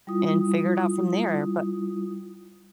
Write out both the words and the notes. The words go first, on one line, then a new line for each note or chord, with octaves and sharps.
and figure it out from there. But
G3 E4 F4 D#6